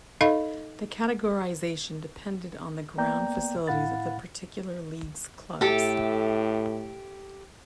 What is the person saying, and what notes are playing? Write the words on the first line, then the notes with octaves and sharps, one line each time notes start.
The categorisation depended on the ground facilities of the particular league's clubs.
D#4 A4 D#5 F5 B5
A#3 B3 D5 G5 A#5 G6
A2 E4 F5 F#5 B5 A6
A2 G4 A4 E5